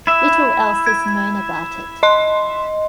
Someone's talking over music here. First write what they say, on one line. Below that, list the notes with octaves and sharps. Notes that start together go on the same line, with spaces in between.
Little else is known about it.
E4 E5
G#6
D#5 C6